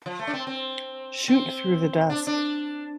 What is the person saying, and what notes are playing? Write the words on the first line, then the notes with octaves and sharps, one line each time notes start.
Shoot through the desk.
F3
A3
D4
C4
C4
C4
D4
D4